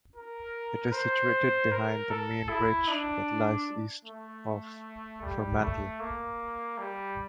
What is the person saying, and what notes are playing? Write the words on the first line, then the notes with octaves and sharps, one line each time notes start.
It is situated behind the main ridge that lies east of Fremantle.
A#4
C5
A#4
A4
E4
D4
A3
G3
A3
A#3
G3